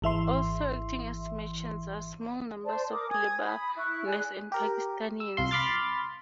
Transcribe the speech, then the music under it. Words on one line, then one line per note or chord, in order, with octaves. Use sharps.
Also acting as merchants are small numbers of Lebanese and Pakistanis.
G#1 E3 E5 C6
C5 D5 A5
A#4 D6 D#6
G#5 D#6 G#6
B5 D#6
E4 C#6 F#6
G#4 D5 G#5 F#6
G4 A#4
E6
C2 F4 C6
B5 C6 D6 F6 A6